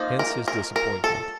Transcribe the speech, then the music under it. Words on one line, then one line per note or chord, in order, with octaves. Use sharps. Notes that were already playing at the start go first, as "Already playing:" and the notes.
Hence his disappointment.
Already playing: F3 A#3 D#4
A#4
A#4
A#4
A4